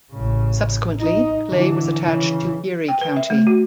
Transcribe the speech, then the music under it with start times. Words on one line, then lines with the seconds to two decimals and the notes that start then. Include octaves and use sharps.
Subsequently, Clay was attached to Geary County.
0.12 A1 C#3
0.99 D#4
1.49 D3 E3
2.02 C#3 E3
2.88 G5
3.01 B4
3.16 E5
3.30 A3
3.47 F#4